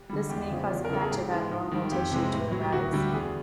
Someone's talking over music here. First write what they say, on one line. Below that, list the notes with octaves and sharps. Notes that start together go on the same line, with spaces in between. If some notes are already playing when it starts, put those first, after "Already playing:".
This may cause a patch of abnormal tissue to arise.
Already playing: G4
D3 G3
E2 G4
C#3 F3
E2
A#4
C#3 E3 A4
G#4
G#2 G4
E3 G#3
G#2
D#3 G3
F2 G4
C3 E3 G#3
A2
F#3
G4
D2 F#4
D3 G3 G4
E2 G#4